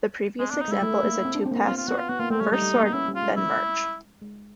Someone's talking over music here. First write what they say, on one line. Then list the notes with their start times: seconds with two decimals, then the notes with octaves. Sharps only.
The previous example is a two-pass sort: first sort, then merge.
0.39 G#3 C4
0.50 D4
0.54 B3
0.61 D#4
0.68 G#3
0.72 E4
0.82 A3
1.03 A#3
1.25 C4
1.35 D4
1.45 C4
1.52 A#3
1.56 B3
1.66 C4 F4
1.77 F4
1.88 B3 F#4
1.98 F4
2.09 B3 F#4
2.20 A#3 F4
2.30 A3 C4
2.41 G3 C#4
2.51 G3 D#4
2.62 G3
2.74 A#3
2.83 B3 D#4
2.94 C#4 E4
3.08 G3
3.15 F4
3.22 G#3
3.36 E4
4.22 G#3